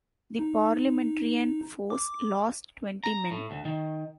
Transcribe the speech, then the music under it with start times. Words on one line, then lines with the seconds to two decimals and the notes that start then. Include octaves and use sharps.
The Parliamentarian force lost twenty men.
0.39 D#4
1.90 D6
3.04 A#5
3.31 A2
3.51 D2
3.65 D#3